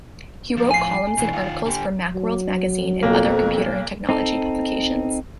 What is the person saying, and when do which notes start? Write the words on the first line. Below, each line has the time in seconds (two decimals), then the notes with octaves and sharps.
He wrote columns and articles for "Macworld" magazine and other computer and technology publications.
0.57 A2 F3
0.71 G#5 C7
1.18 B2 E3
1.33 D#3 F4
1.66 D3 G4
2.14 F#3
3.03 B1 F2 A#3
4.09 C4 D#4 A4